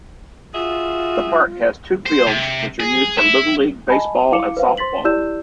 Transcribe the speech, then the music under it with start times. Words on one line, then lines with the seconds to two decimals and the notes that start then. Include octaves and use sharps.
The park has two fields which are used for little-league baseball and softball.
0.54 F4 F#4 G#4 E5
2.06 C5
2.26 C3
2.80 G#4
3.18 E4
3.90 D#5 G#5 A5 B5
4.32 E4 F5 D6 C#7
4.57 B4 C5 F5
4.77 C5 C6 A6 B6 F#7
5.04 E4 G4 D5 E6 G6 E7